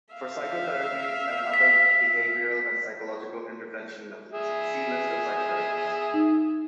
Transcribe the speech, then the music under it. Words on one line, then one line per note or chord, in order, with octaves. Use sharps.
For psychotherapies and other behavioral and psychological intervention methods, see list of psychotherapies.
E5 F5
B6
G#4 E5
D#4